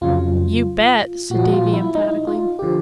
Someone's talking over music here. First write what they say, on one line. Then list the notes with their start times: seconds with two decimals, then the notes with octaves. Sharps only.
"You bet!" said Davy emphatically.
0.01 F2 C#3 F#3 F4
1.30 A#2 F3 F#4
1.52 F4
1.73 E4
1.95 D#4
2.27 F4
2.59 D3 F3 G4